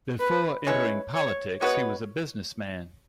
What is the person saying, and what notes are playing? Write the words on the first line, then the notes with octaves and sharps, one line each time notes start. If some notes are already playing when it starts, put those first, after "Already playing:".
Before entering politics he was a businessman.
B4
G#3 C#4 E4 B4 C#5
C#5
G#3 B3 F#4 B4 C#5